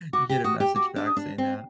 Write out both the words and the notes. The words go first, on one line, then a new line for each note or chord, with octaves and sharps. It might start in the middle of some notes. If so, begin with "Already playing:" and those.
you get a message back saying that.
F#4 D6
G4
F#4 D#6
G4
F#4 D6
D4
D#6
D4
C4